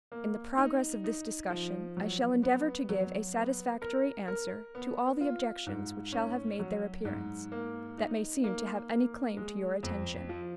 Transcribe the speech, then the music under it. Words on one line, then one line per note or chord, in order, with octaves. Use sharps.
In the progress of this discussion I shall endeavor to give a satisfactory answer to all the objections which shall have made their appearance, that may seem to have any claim to your attention.
A#3
D#4
D#4
F3
F#3
B3
F#3
B3
A#4
A#4
B3
F4
G#2
C#4
F#3
G#2
A#3
D#4
A#3
A#3
G#3
F2
F3